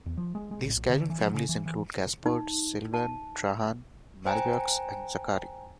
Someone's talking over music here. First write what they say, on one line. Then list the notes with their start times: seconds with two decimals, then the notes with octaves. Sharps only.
These Cajun families include Gaspard, Sylvan, Trahan, Malveaux, and Zachary.
0.06 E2
0.17 F3
0.35 G#3
0.51 G#3
0.63 A1
0.76 A#1
0.89 D3
1.10 E3
1.21 F3
1.34 C#3
1.49 E3
1.66 E3
2.26 D#4
2.94 A5
4.26 C5 G5 G#5 A#5